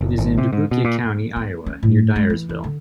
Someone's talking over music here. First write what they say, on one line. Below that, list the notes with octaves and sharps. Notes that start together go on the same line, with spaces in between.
It is in Dubuque County, Iowa, near Dyersville.
F#1
G#1
C3
G#2
B2
A#2
B3
C#4
A2
G#3
E3
E2
D3